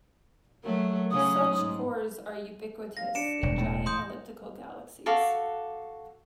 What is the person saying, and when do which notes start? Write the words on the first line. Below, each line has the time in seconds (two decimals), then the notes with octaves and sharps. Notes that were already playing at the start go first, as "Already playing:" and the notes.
Such cores are ubiquitous in giant elliptical galaxies.
0.63 F#3 A3 A#4
1.11 C#3 F#3 C#4 D#6
1.47 G#2
2.97 F5 A#6
3.15 D4 C#7 D7 E7
3.43 E1
3.58 A2
3.86 C6 D#6 G6
5.06 F#4 A4 F5 D6